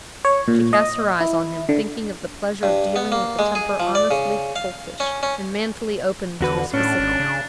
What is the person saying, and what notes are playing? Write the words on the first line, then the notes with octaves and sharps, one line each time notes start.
She cast her eyes on him, thinking of the pleasure of dealing with a temper honestly coltish, and manfully open to a specific.
C#5
A#2
D#5
E4
D3
G2
B3
A#3
G#3
G#4
F3
D5
C#3
F5
C#4
C#4
E2 D3 F#4 B4
A2 C#4 D4
G#1
C#3